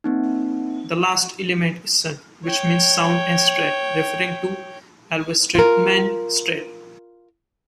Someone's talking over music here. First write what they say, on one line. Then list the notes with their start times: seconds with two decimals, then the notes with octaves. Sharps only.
The last element is "sund" which means "sound" or "strait", referring to Alverstraumen strait.
0.04 A#3 C4 D#4
2.45 C#5 G5
5.55 F4 A#4